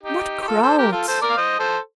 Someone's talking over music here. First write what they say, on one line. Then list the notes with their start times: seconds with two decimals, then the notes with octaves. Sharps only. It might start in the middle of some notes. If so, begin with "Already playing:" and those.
What crowds!
0.03 D#4 G4
0.42 G4
0.48 F4 A4
0.63 A4 C5
0.78 G4 A#4
0.92 F4 A4
1.07 A4 C5
1.21 A#4 D5
1.30 F5
1.37 C5 D#5
1.59 A4 C5